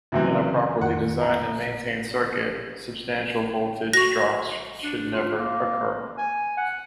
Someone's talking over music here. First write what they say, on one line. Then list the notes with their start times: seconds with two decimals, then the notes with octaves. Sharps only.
In a properly designed and maintained circuit, substantial voltage drops should never occur.
0.12 F#2 C3 E3
0.32 C#3
0.81 F2 D#3 F#5
1.21 E5 A#5
3.93 F#4 C#6 A#6
4.84 D4
5.14 F4
5.38 A#3
6.18 G#5
6.57 F#5